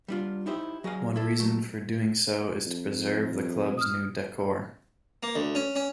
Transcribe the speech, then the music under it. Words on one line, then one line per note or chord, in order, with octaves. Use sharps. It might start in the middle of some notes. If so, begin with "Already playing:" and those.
One reason for doing so is to preserve the club's new decor.
G3 D4 F4
D#4 E4 G4 C5
F#3 G#4 D#5 F5
E4 A4
F#3 A3
F2
D#6 F6
A#3
D2
C#4
C#4